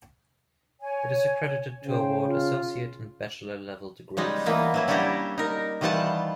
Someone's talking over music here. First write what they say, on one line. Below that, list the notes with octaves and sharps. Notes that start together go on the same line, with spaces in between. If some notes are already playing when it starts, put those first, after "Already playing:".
It is accredited to award Associate and Bachelor-level degrees.
C#5 G#5
C#3 C5 G5
F4
C#3 G3 G#3 D#4
E3 A#3 B3
E3 F#3 E4
G3 C#4 D4 E4 G4 A#5
D#4 A#4
D#3 E3 G3 F4 F#5 A5